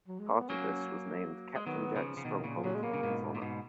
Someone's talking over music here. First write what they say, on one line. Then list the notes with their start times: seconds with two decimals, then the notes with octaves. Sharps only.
Part of this was named Captain Jack's Stronghold in his honor.
0.08 F#3
0.19 G#3
0.29 A#3
0.39 B3
0.49 F#3 A#3 C#4
1.56 G#3
1.66 D#3 F#3 B3
1.96 C#3 F3
2.17 C#3
2.25 B2 D#3
2.44 A#2 C#3
2.56 F3
2.64 A#2 C#3 F#3
2.75 G#3
2.83 B2 A#3
2.94 C#3
3.03 G#2 B2
3.35 A#2
3.41 G#2 B2